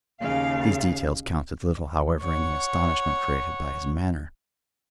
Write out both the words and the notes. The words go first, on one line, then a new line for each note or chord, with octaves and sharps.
These details counted little, however, in the astonishment created by his manner.
D#2 C#3 F5
C#5 F#5